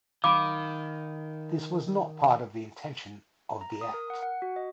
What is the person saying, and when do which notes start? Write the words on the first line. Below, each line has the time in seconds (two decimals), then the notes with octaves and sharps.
This was not part of the intention of the act.
0.24 D#3 F5 B5 D6 D7
3.61 A#5
3.81 D#6
3.94 A#4
4.10 F#5
4.23 F#5
4.42 F#4
4.56 D#5